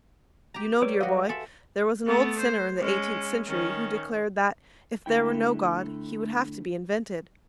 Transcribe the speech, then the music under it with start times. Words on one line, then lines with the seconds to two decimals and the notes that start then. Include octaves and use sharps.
You know, dear boy, there was an old sinner in the eighteenth century who declared that, if there were no God, he would have to be invented.
0.54 G4 A#5
0.82 G3 B4 C#5 D6
1.01 F#4 D#5 F5 F#5
1.29 A4 E5 G#5 C6
2.06 A3 B3
2.39 C5
2.78 G#3 C#4
3.47 D#3 C#4
5.06 D3 A3 E4 G5